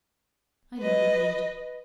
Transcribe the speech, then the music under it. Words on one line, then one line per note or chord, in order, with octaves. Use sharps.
I know the breed.
B4 D#5